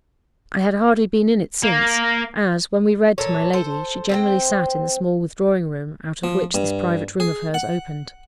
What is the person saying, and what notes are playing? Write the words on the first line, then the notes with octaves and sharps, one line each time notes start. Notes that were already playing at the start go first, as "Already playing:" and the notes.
I had hardly been in it since; as, when we read to my lady, she generally sat in the small withdrawing-room out of which this private room of hers opened.
A#3
A#2 A4 C#5
A4 C5
C4 C5 G5
F3
G2
G#4
F#5